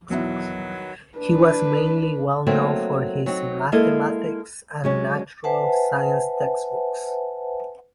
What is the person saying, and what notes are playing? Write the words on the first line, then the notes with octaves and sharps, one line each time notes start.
He was mainly well known for his mathematics and natural science textbooks.
B1 E2 D#3 F#3 E4 B4
D4 B4
F#3 A3 A#3 C4 D#4 A#4
F#3 C4 D#4
G#3 A#3 E4 A4 D#5
F#3 G#3 C#4
B4 C5 E5 F#5 G#5 A5